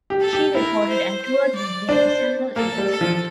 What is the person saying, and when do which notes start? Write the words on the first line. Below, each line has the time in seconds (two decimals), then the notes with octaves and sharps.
She recorded and toured with them for several years.
0.10 G4
0.21 A4
0.33 G4
0.55 E4 A#4
0.89 C5
1.22 C5
1.55 D5
1.89 D4 C5
2.56 A#3 A4
2.78 G3
2.90 A4
3.01 F3